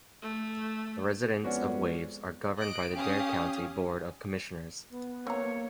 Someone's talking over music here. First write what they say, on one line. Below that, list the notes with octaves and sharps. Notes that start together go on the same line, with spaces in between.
The residents of Waves are governed by the Dare County Board of Commissioners.
A3
F2 G#3 B3 C#4 D4 F#4
D#5 F#6 D7
C#4 G4 F5 D#6
B3
A#3 C4 C#5 A#5